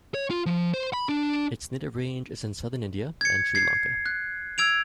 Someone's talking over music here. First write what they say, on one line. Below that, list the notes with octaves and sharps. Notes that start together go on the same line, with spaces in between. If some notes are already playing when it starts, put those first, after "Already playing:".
Its native range is in southern India and Sri Lanka.
C#5
F4
F3
C5
B5
D4
G#6 C#7
G#6 C7
F#6
E6 G#6 D7 F7